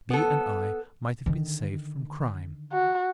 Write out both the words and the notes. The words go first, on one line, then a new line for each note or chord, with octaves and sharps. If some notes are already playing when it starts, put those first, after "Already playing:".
B. and I might have been saved from crime.
B3 A4
D3 D#3
F#4